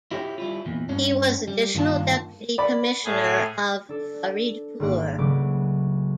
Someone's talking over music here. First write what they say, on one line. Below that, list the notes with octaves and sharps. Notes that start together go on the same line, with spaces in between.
He was Additional Deputy Commissioner of Faridpur.
E4 F#4 G4 C#5 G5
G3 E4 F4
E2 A#2
G2 C#4 D4
G3
G2 D#3 A#3 F4 A5
D5 B5
A2 G#4
D4 A4
G#1 G3 A#3 D6 F#6
C#2 C#3 F#3 A3 B5 D6